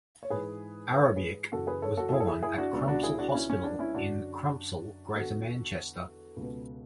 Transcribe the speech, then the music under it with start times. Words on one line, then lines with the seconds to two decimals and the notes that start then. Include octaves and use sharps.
Arobieke was born at Crumpsall Hospital in Crumpsall, Greater Manchester.
0.23 C#5
0.30 G#2 E3 G#4 B4
0.92 B4
1.04 C#5
1.16 G#4 B4
1.52 F#2 C#3 E3 F#4 A4
1.67 G#4 B4
1.82 A4 C#5
1.97 F#4 A4
2.09 A4
2.12 E4 G#4
2.20 A4
2.27 E4 G#4
2.43 E4 G#4
2.58 D4 F#4
2.73 C#2 B2 D4
2.88 D4 F#4
3.03 E4 G#4
3.19 D4 F#4
3.34 C#4 E4
3.50 C#4
3.64 D4
3.79 C#4 E4
3.94 F#2 D3 D4 F#4
5.15 E2 D3 F#4 A4
6.36 C#2 B2